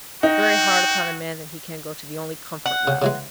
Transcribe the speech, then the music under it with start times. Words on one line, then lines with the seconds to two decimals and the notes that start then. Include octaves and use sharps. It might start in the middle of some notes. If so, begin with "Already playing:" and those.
It's very hard upon a man that he can't go to the only comfort left.'
0.23 D#4 F#4 G5
2.66 F#5
2.87 C#3
3.02 C#3 E3 G#3